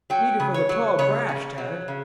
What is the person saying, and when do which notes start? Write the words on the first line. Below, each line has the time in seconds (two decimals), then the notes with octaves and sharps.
"Beat it for the tall grass, Tad!"
0.10 F#3 G5
0.40 C#3
0.54 C#5
0.69 F#3
0.99 C#3 C#5
1.29 C#3
1.58 F#3
1.88 C#3